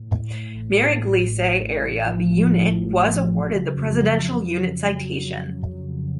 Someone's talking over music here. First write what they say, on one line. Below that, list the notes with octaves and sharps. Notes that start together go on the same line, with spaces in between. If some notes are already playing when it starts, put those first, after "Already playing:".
Mere-Eglise area, the unit was awarded the Presidential Unit Citation.
Already playing: A2
A2
A2
A1
A2
A2
A1
A1
A2
A1
F3
A2
A2
A1
A1
A1
F#3
C#3
F2
F2
F2
F2
F2
F#3
F#3
C#3
F#3
F2
F2